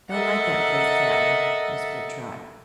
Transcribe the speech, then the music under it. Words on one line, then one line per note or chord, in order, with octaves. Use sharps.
"Don't like that place, Cap'n," whispered Trot.
A4 A#4 D#5 E5 F#5